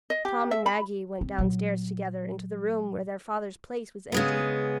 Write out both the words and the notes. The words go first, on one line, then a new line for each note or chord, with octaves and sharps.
Tom and Maggie went downstairs together into the room where their father's place was empty.
D#5
G4
E5
B5
C4
A#2 F#3
C#3 G#3 B3